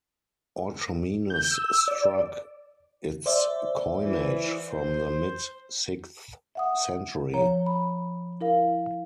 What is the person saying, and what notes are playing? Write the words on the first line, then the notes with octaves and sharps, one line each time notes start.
Orchomenos struck its coinage from the mid-sixth century.
G6
E6
D5
C5 D5 E5
E3
C5
E5 F#5 D#6
F3 C#5 A#5
B5
E4 A#4 F5